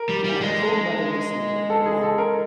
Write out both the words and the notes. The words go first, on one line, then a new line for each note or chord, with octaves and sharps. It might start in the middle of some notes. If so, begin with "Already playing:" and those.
Yeah, the cold weather makes them a little bit numb.
Already playing: A#4
G3
G3
G#3
A4
G#4
A4
A#4